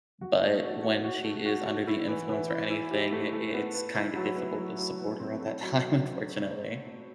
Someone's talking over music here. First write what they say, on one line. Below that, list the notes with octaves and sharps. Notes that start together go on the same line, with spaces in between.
but when she is under the influence or anything, i it's kinda difficult to support her at that time, unfortunately.
F#4
A3
F#4
F#4
F#4
A3
F#4
F#4
E4
E3
E3
E4
E4
G4
A3
A3
B3
B3
E4
F#3
B3
F#3
F#3
B3
C4
A3
F#3
F#3